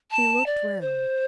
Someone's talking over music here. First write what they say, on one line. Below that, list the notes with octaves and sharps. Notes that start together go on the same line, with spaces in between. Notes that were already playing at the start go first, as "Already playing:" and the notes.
She looked round.
A5
D5
C5